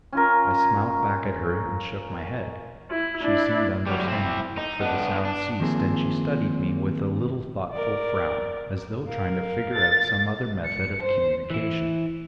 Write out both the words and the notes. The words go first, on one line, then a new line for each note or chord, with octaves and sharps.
I smiled back at her and shook my head. She seemed to understand, for the sound ceased, and she studied me with a little thoughtful frown, as though trying to figure out some other method of communication.
C#4 F4 A#4
E4
D4 E4
F#3 G3
C4 E4
D#4
B3 D4
D4
D#3 F3 A#3 C4 G#4
A#4 D5
A#4 F5
A6
C#7
C5
E3 E4